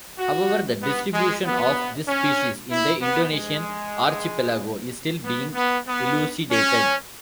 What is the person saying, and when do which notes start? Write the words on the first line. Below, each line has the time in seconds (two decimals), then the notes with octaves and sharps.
However, the distribution of this species in the Indonesian archipelago is still being elucidated.
0.17 F#4
0.81 B3
1.12 G#3
1.44 B3
2.06 C#4
2.70 E4
3.02 B3
3.34 G#3
5.23 B3
5.54 B3
5.86 B3
6.50 C#4